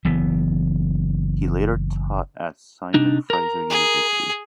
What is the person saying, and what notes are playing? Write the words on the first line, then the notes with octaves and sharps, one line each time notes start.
He later taught at Simon Fraser University.
F#1 E3 B3
C3 D4 D#4
A#4 A#5
G#4